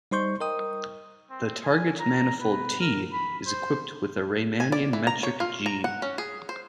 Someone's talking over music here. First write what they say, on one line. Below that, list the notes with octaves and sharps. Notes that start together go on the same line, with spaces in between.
The target manifold "T" is equipped with a Riemannian metric "g".
G3 D#4 C5 C6 C#6 G6
A#4 D#5 G5 D#6
C4
G#5
A#5
B4
A#4
B5
C5
G#5
D5
E3
A#5
C#5
F4
A#5
F#5
C#4
G#4
C5